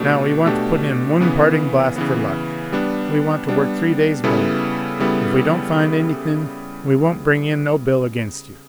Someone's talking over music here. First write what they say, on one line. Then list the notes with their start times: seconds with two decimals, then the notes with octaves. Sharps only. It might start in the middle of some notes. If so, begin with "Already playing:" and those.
Now we want to put in one parting blast for luck. We want to work three days more; if we don't find anything, we won't bring in no bill against you.
Already playing: B2 A3 D4 G4
0.45 B2 A3 D4 G4
1.20 C#3 E3 B3
1.96 C#3 E3 B3
2.72 G3 B3 D4
3.49 G3 B3 D4
4.24 C#3 G3 B3 E4 A4
4.99 C#3 G3 B3 E4 A4